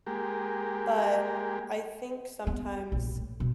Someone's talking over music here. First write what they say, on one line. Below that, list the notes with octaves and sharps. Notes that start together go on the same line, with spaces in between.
but, I think sometimes
G#3 A#3 G4
B3
A#1
A2
B2